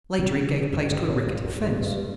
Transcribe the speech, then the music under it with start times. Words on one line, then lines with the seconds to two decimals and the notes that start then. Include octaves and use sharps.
Later it gave place to a rickety fence.
0.18 C3
0.73 F#2
0.91 G2
1.08 A2
1.27 G2
1.45 F#2
1.63 G2
1.82 G2